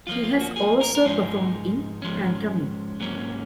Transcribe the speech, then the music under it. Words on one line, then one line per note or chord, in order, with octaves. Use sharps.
He has also performed in pantomime.
F#2 F3 A#3 F4
F4
F#4
G#4
A#4
A#4
G#2 F3 G#3 D#4 G#4
G#2 F3 G#3 C#4
G#2 F#3 A#3 C#4